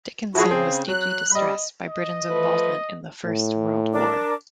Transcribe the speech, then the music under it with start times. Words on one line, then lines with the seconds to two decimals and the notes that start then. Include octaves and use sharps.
Dickinson was deeply distressed by Britain's involvement in the First World War.
0.35 F3 E4 F#4 G#4
0.51 C#3 C4 G#4
0.88 F#3 F#6
1.31 G3 D#5 B5
1.87 D#5
2.27 F3 A3 B4
3.25 A2
3.93 D4 A#4 D6